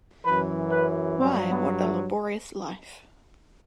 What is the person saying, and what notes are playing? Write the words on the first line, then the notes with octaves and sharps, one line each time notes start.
Why, what a laborious life!
F#2 E3 B4
B4
G2 F#3 C4
B3
A3